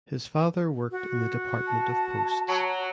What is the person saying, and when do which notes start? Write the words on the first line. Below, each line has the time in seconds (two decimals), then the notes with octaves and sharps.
His father worked in the Department of Posts.
0.91 F#4
1.67 A5
2.49 F#3